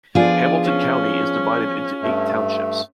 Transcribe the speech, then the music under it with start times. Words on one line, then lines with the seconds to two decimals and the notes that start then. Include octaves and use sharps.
Hamilton County is divided into eight townships.
0.15 F3 B3 D4 F4 G#4 D5
0.64 C#4
2.03 G2 A3